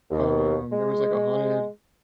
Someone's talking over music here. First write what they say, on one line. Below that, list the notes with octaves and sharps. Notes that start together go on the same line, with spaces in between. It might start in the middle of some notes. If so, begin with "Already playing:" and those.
um, there was like a haunted
D#2
G#3